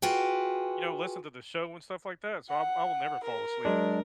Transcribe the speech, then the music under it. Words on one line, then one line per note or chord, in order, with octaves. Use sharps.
you know, listen to the show and stuff like that. So, I w I will never fall asleep.
F4 F#4 G#4 B4 G5
F#5
A#4
F#3 G#3 D4